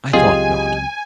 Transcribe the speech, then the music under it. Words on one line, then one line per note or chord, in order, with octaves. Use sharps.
I thought not.
C#2 F#3 C4 F4 G4 G#4 D#5 G#5